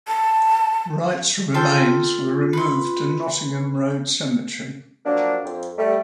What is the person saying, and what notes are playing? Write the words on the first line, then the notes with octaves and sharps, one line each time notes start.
Wright's remains were removed to Nottingham Road Cemetery.
A5
F4 A4 C5 G5
B4 C6
F3 F#3 A#3 D4
F2
G3 A3